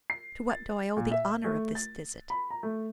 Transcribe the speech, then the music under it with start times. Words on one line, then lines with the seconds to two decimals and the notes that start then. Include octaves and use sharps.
"To what do I owe the honour of this visit?"
0.10 C7
0.50 A6
0.97 A#2
1.11 E5
1.44 A3
1.75 A6
2.30 B5
2.50 A#5
2.63 A3